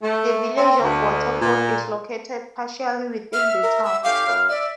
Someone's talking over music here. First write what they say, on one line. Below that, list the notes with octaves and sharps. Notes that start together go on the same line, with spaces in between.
The Village of Waterford is located partially within the town.
A3
C4
D2
A#2
E5 F6
A#4
E6
A2 C#4 G4 F5
F#2 B3 F6
D5 E5